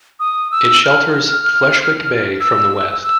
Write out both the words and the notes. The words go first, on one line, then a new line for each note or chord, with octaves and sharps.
It shelters Fleshwick Bay from the west.
D#6
E6
F6
E6
E6